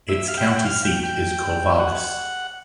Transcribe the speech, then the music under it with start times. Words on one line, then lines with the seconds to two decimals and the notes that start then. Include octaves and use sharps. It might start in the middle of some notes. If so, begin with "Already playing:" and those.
Its county seat is Corvallis.
0.09 E5
0.28 F5
0.37 G5
0.47 F#5
0.56 G5
0.65 F5
0.84 G5
1.03 G5
1.79 F#5